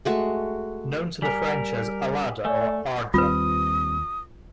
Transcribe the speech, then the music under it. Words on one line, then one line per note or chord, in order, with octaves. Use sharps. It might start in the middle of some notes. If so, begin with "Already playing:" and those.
Known to the French as "Allada" or "Ardres".
G#3 A3 F#4
G3 A#4 G#5 B6
A3 D5 G#5
D#2 G3 C4 F4 B4 D#6